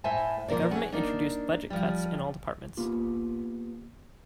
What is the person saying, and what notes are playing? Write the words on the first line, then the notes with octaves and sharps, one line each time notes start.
The government introduced budget cuts in all departments.
A2 A4 C5 E5 G#5 A5
A#2 F3 A#3 D5
C#4 G#4 F#5
A#3 D4 D#4
F3 G3
A#3 B3 F4 G4